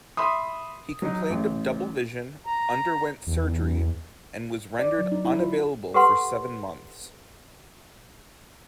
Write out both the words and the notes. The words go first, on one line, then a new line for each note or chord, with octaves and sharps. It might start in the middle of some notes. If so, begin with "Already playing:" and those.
He complained of double vision, underwent surgery, and was rendered unavailable for seven months.
E5 B5 C6 D#6
F#3 D#4
A1
A#5
E2
D5
F#3
D#4
E4
F4
G4 A4 B4 F#5 C6